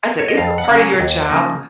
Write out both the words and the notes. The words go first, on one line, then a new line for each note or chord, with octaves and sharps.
I said, "...isn't part of your job
C#5
D#5
F2 F5
F#5
C#3 F#3 A#3 C#4
G#5
D#2
C#3 F3 A#3 D#4